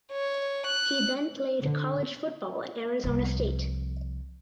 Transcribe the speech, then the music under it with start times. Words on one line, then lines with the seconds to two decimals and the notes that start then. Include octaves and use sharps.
He then played college football at Arizona State.
0.12 C#5
0.67 F#6
1.62 D3
3.04 C2 F3